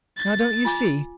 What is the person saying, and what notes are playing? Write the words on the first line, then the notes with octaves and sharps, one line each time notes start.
'Now, don't you see!
A6
F4 G#5 D6